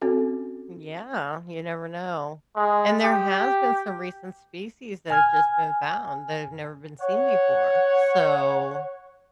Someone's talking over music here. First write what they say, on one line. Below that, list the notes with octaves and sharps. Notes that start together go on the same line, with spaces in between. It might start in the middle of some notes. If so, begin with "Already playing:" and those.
Yeah, you never know. And there has been some recent species that have just been found that have never been seen before, so,
C4 C#4 F#4 A4
G#3
G4
G#5 F6 G#6
C#5 F#5